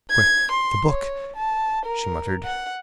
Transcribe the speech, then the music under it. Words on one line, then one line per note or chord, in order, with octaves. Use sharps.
"Quick--the book," she muttered.
G#6
C6
C#5
A5
A#4
F#5